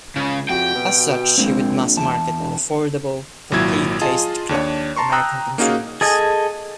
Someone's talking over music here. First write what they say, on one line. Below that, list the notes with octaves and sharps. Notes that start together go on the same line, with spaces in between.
As such he would mass market an affordable, complete cased-clock to American consumers.
C#2 C#3
F2 F#4 G4 G5
B2
A#1 G#3 A#3 C4
E2 A5
E1
G#1 A#2 F#3 E4 G#6
F4 G#4 D#5 A5
D#2 D4 C#5
A5 A#5 C6 C#6
G5 A#5 D#6 E6 F#6
A#3 C#4 D#4 F#4 G#4 F5
G#4 A4 D#5 G#5